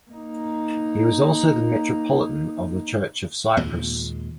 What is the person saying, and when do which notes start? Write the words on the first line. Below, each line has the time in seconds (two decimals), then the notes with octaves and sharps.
He was also the Metropolitan of the Church of Cyprus.
0.11 A#3 D#4
3.57 D#2 A#2 G#3